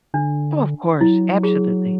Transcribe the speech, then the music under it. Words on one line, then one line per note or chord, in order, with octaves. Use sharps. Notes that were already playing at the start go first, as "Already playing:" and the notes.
Oh, of course, absolutely.
D3 D4
F#3 E4
G#4